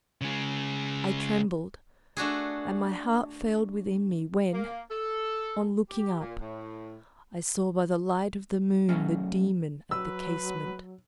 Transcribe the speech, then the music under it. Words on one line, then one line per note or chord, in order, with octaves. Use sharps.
I trembled and my heart failed within me, when, on looking up, I saw by the light of the moon the daemon at the casement.
C#3 G#3
A3 D4 F#4 G#4
A#3
A4
G4
A#2
A2
F#3 A3 C#4 F#4 G#4
F#3 B4 E6